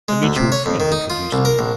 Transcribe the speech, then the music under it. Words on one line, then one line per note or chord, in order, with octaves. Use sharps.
A mutual friend introduced me.
G#3
D2
C3
C#5
F2
D#3
D#4
F4
C2
A#4
A#1